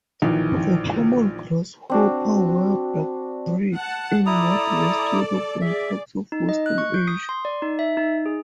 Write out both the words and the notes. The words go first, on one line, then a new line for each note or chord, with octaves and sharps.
The common grasshopper warbler breeds in north west Europe and parts of western Asia.
A#1 D#3 E3
C4 D4 F#4
F#5 A5
E4 A4 D5 A#5 D#6
G#4 D5 E5
D#4
D#5
F#6
C#6
G6
D#6
C6
D5
D#4
E5
D#4
G#4